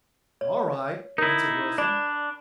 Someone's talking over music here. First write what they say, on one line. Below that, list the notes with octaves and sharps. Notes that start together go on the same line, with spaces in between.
"All right," answered Wilson.
C#5
D#4 E4 A#4
D4 D5 B5